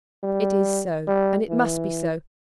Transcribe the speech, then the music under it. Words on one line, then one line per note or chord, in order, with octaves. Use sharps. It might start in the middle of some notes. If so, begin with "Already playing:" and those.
It is so, and it must be so.
G3
G3
E3